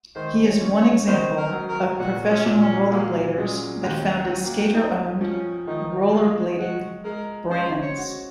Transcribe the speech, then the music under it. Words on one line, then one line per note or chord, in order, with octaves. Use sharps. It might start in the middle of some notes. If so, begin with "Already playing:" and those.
He is one example of professional rollerbladers that founded skater-owned rollerblading brands.
D#3 C5
C#5
C#4
C#5
D#3 C5
A#4
F#3
A#4
A#2 F#4
C#4
A#2
C#4
F#3 A#3
C#3 G#3
D#2 F3
F#3
F#3
A#3
C4 D#4
F3 C#4
D#3 D#4
G#3 F4
G#3 F#4
G#3 A#4
C#4 C5
C#5
F#4